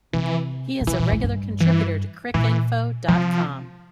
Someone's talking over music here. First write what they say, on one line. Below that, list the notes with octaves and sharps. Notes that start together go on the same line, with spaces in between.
He is a regular contributor to Cricinfo dot com.
C3 E3
A#2
C3 E3
A#2
A2
G2
E3
A#2 E3
C3 F3